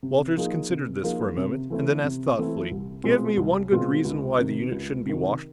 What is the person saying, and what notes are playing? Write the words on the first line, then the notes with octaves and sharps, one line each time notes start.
Walters considered this for a moment and then asked thoughtfully, "Give me one good reason why the unit shouldn't be washed out."
C3
F3 A#3 D#4 G#4
C3
F3 A#3 D#4 G#4
C3
E3 A3 C4 E4
C3
E3 A3 C4 E4
C2
B2 G#3 C4 F4
C2
B2 G#3 C4 F4
C#2
C3 D#3
C#2
C3 D#3